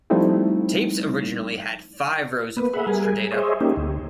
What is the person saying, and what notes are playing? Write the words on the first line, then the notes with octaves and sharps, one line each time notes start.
Tapes originally had five rows of holes for data.
F3 G3 A3 C4 D#4 E4
A#3 B3 B4
G#4 E5 F#5 B5
G3 G#4 A#4 G#5
G#4 C5 C#5 D#5 E5
A#3 C#4 D#4 G4
D2